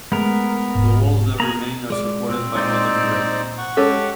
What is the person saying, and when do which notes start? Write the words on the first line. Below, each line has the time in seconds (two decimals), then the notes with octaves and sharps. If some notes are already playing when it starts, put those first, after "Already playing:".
The walls that remain are supported by modern brick.
0.12 G#3 A3 B3 A#4
0.75 D#1 G#2
1.40 A#3 G#4 A#5
1.90 G#3 D5
2.30 A#2 C4
2.55 G#3 D#4 C5 D5
3.58 F#5 C#6
3.77 G#3 C#4 G4 A4